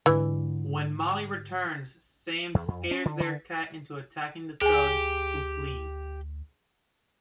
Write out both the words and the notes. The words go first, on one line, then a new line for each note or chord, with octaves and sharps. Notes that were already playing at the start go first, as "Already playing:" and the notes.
When Molly returns, Sam scares their cat into attacking the thug, who flees.
G#2 D3 E3
E2
F2
C#4
D3
D3
D2 G4 G#4 G#5